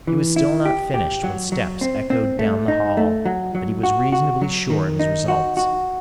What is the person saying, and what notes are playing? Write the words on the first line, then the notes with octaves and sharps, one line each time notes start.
He was still not finished when steps echoed down the hall, but he was reasonably sure of his results.
E3
E4
G4
G4
F#3
F#3
C4
C4
A3
D#4
A3
F#3
F#3
F#4
F#4
F#3
D#3
D#4
F#4
F#4